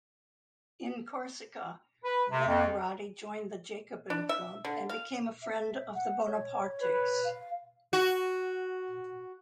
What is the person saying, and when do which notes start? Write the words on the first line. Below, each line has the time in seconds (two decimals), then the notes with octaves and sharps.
In Corsica, Buonarroti joined the Jacobin Club, and became a friend of the Bonapartes.
2.04 B4
2.31 C3
2.46 F2
4.10 D4
4.29 E5
4.65 D3
4.89 F5
5.42 E5
5.94 F#5
6.26 C#5
6.82 B4
7.24 F5
7.93 F#4